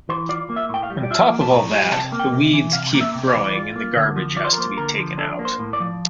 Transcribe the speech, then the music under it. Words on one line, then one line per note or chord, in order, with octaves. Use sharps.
On top of all that, the weeds keep growing and the garbage has to be taken out.
E3 C5
F4 D5
A#3
E5
A2 G5
F5
G3
D5
F4 E5
A#3
A5
A2 A#5
G3
C3 A5
A#3
G5
C3
E3
C3 F5
A#3
E5
C3
D5
E3
F4
A#3
D3
F3
F4 D5
C5
A#4
A#3 C5
D3 A#4
F3
D4 A4
A#3
C5
A2
D5
F3